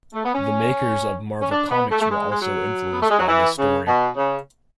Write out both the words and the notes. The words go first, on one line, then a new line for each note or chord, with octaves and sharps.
The makers of Marvel Comics were also influenced by this story.
A3
B3
C#4
C#4
D4
B3
A3
A3
G#3
G#3
F#3
B3
A3
G#3
F#3
E3
C#3
B2
C#3